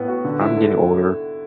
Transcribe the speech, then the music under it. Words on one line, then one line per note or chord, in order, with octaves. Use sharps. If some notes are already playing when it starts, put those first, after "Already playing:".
I'm getting older,
Already playing: A2 B3
F#4
D3
E4
A4